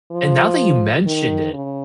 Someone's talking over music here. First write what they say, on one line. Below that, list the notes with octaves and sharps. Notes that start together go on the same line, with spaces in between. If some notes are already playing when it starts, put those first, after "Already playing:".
And now that you mentioned it,
F3
D#3
C#3